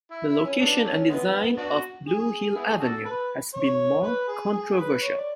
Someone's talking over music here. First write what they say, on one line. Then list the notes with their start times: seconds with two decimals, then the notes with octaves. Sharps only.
The location and design of Blue Hill Avenue has been more controversial.
0.11 E4
0.27 E4
0.44 C#4
0.60 F#3 B3 D4
0.85 F#3 A3 C#4
1.09 E3 G#3 B3
1.57 B3 D4 F#4
2.07 G#4
2.56 B3 E4 G#4
2.80 D4 F#4 A4
3.05 B4
3.54 C#5
4.03 B4
4.28 G#4
4.52 G#4
4.76 B4
5.01 C#5
5.17 D5